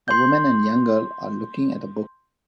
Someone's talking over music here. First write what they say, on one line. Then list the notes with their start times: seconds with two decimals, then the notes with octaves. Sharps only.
A woman and young girl are looking at a book.
0.08 C6 G6